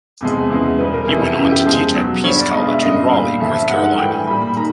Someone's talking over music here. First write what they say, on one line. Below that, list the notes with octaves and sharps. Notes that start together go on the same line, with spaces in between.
He went on to teach at Peace College in Raleigh, North Carolina.
E2 C3 F3 G#3
E2 C#3 E3 G#3
B2 G3 B4
A#4
F2 C3 E3 G#4
G4
F#2 C#3 E3
G4
E2 C#3 F3 G#3
B2 F#3
G2 D3 G3 C#5
D5
B2 G#3 D#5
F5
E5
F#2 D3 G3 D#5
A#2 G3 F5
G2 D3 F3 E5
E5
G2 D#3 G#3 F#5
F#5
A2 E3 G3 G5
G#5
A#2 G3 B5
B5
D#3 A#5